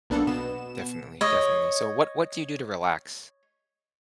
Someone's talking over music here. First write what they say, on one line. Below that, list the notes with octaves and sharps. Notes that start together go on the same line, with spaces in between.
Definitely, definitely. So what what do you do to relax?
B1 A#3 B3 D4 A4
B2 B3 E7
C#5 D#5